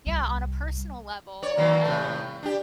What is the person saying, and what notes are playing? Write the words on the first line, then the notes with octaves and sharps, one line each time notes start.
yeah, on a personal level, um
C2 G3
C#5 D5
D#3 F#3 A#3
A2 C3
D4 G4